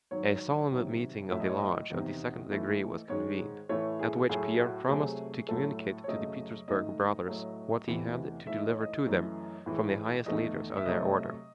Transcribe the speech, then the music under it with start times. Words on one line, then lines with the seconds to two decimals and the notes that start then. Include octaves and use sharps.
A solemn meeting of the lodge of the second degree was convened, at which Pierre promised to communicate to the Petersburg Brothers what he had to deliver to them from the highest leaders of their order.
0.11 G#2 D#3 F#3 C#5
0.71 C3 D#3 F#3
1.31 A2 F#3 A3 E5
1.40 D#5
1.49 C#5
1.59 D#5
1.90 E2 C3 D#3
2.50 G#2 E3 A3
3.09 G#2 D#3 G#3 C#5
3.69 A2 E3 A3 C#5
3.99 G#4
4.29 A2 F#3 A3 G#4
4.59 F#4
4.89 C3 F#3 A3 G#4
5.48 A2 F#3 A3 A4
6.04 C#5
6.08 F#2 C#3 F#3 A3 D#5
6.68 G#2 D#3 A3 D#5
7.28 A2 F#3 A3
7.88 E2 C3 E3 A3
8.47 G#2 E3 A3 E5
8.58 D#5
8.70 C#5
8.81 D#5
9.07 F#2 E3 A3
9.66 A2 E3 G#3
10.26 E2 D#3 A3 D#5
10.77 E5
10.86 C3 F#3 A3 D#5